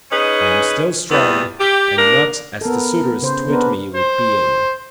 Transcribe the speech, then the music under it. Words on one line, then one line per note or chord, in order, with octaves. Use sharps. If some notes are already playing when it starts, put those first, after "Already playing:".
I am still strong, and not as the suitors twit me with being.
C#4 D#4 G#4 B4
E2 E3 G3 B3
G4
A#3 D4 A#4
B3 A4 A#4
C#3 C5
B3 D4 A#4 B4
C5